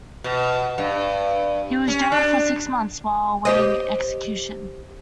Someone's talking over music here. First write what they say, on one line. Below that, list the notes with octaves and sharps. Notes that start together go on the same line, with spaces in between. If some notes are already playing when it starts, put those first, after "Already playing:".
He was jailed for six months while awaiting execution.
B2
G2
C#4
D4
G4 C5 D#5